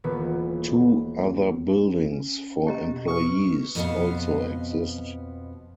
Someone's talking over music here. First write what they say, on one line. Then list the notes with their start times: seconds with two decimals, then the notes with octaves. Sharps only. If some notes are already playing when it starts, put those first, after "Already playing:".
Two other buildings for employees also exist.
0.04 D#1 D#3 E3 B3
2.12 C#4
2.67 G4 D#5 A#5
2.88 B2
3.08 B4 C#6 D#6
3.75 F2 B2 B3 A4 D#5 F5